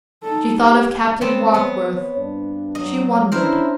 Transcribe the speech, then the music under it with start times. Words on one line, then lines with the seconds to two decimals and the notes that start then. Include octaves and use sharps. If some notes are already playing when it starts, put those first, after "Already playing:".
She thought of Captain Warkworth. She wondered.
0.23 D#4 A4
0.60 G4
1.21 B3 C4 C#5 A5
1.54 B3
2.18 G2 D4
2.75 F#3 D#5
3.32 C#4 D4 E4 A#4 C5